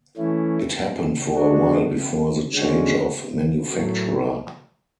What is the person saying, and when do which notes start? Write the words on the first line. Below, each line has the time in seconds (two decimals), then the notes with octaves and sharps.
It happened for a while before the change of manufacturer.
0.17 E3 A3 C#4 E4
1.35 D3 G#3 D4 F#4
2.53 D3 G#3 C#4 F#4
3.71 A2 F#3 A3